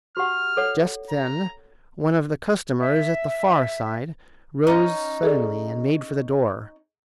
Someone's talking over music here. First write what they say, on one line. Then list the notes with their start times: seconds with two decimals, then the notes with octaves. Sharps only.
Just then one of the customers at the far side rose suddenly and made for the door.
0.17 F#4 G4 F#5 F6
0.57 A4 C#5 F#5
1.10 A#5
2.79 E5
4.67 C#4 D#4
5.23 G#4 A4 D5